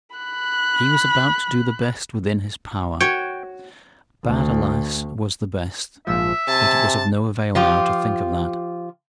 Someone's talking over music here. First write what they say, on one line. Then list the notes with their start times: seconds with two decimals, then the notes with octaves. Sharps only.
He was about to do the best within his power. Bad, alas, was the best, but it was of no avail now to think of that.
0.16 B5 F#6
3.01 F#4 C#5 G5
4.25 D2
6.07 A#1 G#2 F3 E5
6.48 C3 G#5 A5
7.55 F3 F4 G4